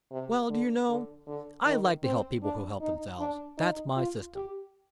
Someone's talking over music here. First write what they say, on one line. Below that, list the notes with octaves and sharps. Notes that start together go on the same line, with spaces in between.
"Well, do you know, I like to help people who help themselves--that's my system."
C3
D3
D3
D3
D#3
C4
D4
D#4
D4
D#4
F4
G4